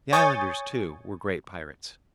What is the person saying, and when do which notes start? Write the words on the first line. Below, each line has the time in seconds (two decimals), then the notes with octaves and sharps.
The islanders, too, were great pirates.
0.13 C#5 G#5 C#6 D#6 G6 A6